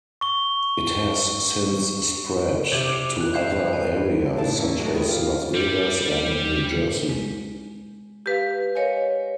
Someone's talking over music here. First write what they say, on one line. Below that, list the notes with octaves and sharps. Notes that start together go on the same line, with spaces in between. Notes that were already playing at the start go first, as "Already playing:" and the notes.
It has since spread to other areas, such as Las Vegas and New Jersey.
C#6 G7
C3 D5 G5 G#6 F#7
F7
F#6
E4 G6 C7 E7
G#5
A2 A5
A#3 C#4 E5
B2 F#3 G#3 A3 D#4
D#3 F3 G#3 E4 A4 B4
F4 G4 F5
G3
G#3
G4 B4 F5
A#4 C#5 D#5 F5 G#5